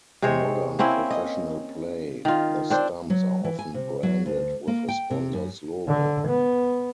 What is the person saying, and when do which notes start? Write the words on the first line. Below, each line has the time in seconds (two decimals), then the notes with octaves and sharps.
In modern professional play, the stumps are often branded with a sponsor's logo.
0.22 C3 G#3 C5 C#5
0.79 A#3 C4 C#4 E4
1.10 D#5
2.25 D#3 F4
2.70 C4 D4 C5
3.10 F#3
3.44 E3
3.59 G#5
3.74 C3
4.03 F#3
4.26 D2
4.67 A#3
4.88 G5
5.10 C3
5.33 F#2
5.88 D3
6.28 B3